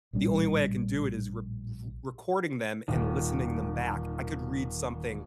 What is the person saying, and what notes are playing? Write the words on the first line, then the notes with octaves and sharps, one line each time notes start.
the only way I can do it is r r recording them and listening them back. I could read something
A#1 A2 G3 C#4
D#1 D#3